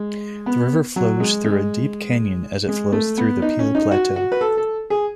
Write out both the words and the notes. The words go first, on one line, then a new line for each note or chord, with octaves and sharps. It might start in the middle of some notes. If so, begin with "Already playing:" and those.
The river flows through a deep canyon as it flows through the Peel Plateau.
Already playing: G#3
B3
F#3
G#3
G#3
G#3
A3
B3
D#4
C#4
D#4
F#4
F#4
B4
A4
A4
G#4